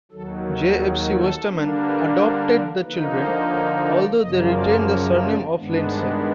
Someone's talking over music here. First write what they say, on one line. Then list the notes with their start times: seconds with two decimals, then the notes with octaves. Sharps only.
J F C Westerman "adopted" the children although they retained the surname of Lindsaye.
0.12 D#2 D#3 F#3 A4
0.46 A4
0.79 G#4
1.14 A4
1.48 D3 G3 A#3 D4
1.82 B4
2.16 C5
2.49 A#4
2.83 D3 F3 A#3 D#4 B4
3.17 C5
3.51 C#5
3.86 D5
4.20 F#2 C#3 F3 A#3 D#5
4.54 D5
4.87 C#5
5.22 D5
5.55 G2 D#3 G#3 B3 D4
5.89 C5